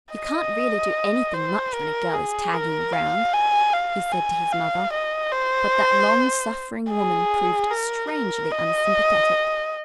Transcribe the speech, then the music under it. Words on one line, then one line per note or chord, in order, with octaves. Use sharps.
"You can't really do anything much when a girl is tagging around," he said to his mother, but that long-suffering woman proved strangely unsympathetic.
D#5
C5
A#4
G#4
A#4
F5
G#5
F5
G#5
F5
D#5
C5
G#4
A#4
A#4
D#5